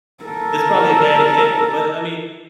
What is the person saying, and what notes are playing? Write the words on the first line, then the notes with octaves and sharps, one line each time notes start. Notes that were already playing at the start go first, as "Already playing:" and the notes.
it's probably a bad example, but, I mean,
A4 A#4